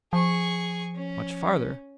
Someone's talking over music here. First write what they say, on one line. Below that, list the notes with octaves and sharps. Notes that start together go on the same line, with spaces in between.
'Much farther!
F3 G#4 C#6
C#4